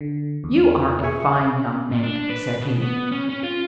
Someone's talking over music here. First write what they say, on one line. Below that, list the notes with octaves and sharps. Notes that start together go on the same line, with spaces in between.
"You are a fine young Mink," said he.
D3
E2
G#4 E5 G#5 C#6
A#2
D4
B4
B2
B3
C#4
C#4
F4